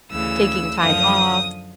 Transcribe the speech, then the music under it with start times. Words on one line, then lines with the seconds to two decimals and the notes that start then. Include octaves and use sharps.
taking time off,
0.10 D2 C#3 E3 E6
0.79 F#2 D3 F3 D#6